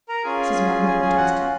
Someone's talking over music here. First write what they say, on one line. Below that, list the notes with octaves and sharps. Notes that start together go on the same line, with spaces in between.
Mrs. Munger protested.
A#4 A#5
C#4 F4 G#4 G#5
G#4 G#5
G#4 G#5
F#4 F#5